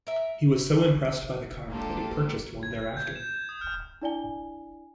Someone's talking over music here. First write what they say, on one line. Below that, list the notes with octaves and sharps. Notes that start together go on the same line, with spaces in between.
He was so impressed by the car, that he purchased one thereafter.
A#4 E5
G#3 A#3 D4 F4 G4 A4
G#6
G#6
G6
E7
E7
D#6
F6
D4 E4 D5 G5 G#5 G7